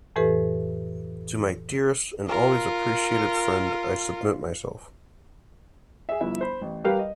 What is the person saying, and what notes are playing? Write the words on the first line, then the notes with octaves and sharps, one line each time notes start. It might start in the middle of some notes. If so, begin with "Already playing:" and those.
To my dearest and always appreciated friend, I submit myself.
F2 A2 E3 G4 A4 B4
F4 A#4
G#4 E5
G1 F3 E4 E5
C5 B5
A1
G3 G4 A#4 B4 F5
D#5